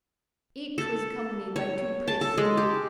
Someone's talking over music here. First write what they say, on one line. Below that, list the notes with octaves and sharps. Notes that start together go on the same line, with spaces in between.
Each was accompanied by two priests.
A4
C#5
A5
A4
G#3
G4